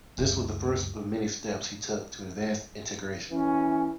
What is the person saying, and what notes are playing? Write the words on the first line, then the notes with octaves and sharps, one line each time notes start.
This was the first of many steps he took to advance integration.
C#2 F#2
E3 C#4